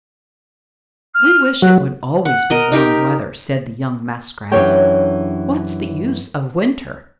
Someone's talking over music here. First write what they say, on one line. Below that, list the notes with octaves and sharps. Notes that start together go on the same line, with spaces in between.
"We wish it would always be warm weather," said the young Muskrats. "What's the use of winter?"
F6
F#3 F#6
F#5
A#4 D#5 A#5
D#4 G4 A#4
F#2 E3 D4 G4 C#5 G5